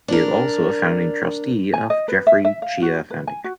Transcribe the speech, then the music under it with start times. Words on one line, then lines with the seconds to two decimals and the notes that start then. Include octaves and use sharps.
He is also a Founding Trustee of the Jeffrey Cheah Foundation.
0.08 D4 A#4
1.74 G#5
1.90 D#5
2.08 B4
2.27 E5
2.45 E5
2.62 F5
2.82 F#4
3.11 B4
3.27 G#5
3.44 F#4